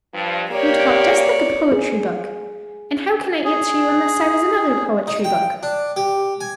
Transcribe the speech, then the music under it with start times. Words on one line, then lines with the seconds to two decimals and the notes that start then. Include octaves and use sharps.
You talk just like a poetry-book, and how can I answer you unless I was another poetry-book?
0.13 G2 F3
0.50 A#3 G4 C#5 D5
1.72 G#4
3.45 G#4
5.07 D#4
5.24 G5
5.63 D4
5.96 G4
6.41 G#5